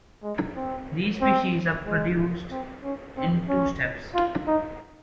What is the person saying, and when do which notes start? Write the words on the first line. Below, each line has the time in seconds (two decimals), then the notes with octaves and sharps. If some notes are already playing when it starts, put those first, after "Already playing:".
These species are produced in two steps.
0.23 G#3
0.56 C4
1.21 C4
1.86 G#3
2.51 C4
2.84 C#4
3.17 C4
3.49 C#4
4.15 F4
4.47 D#4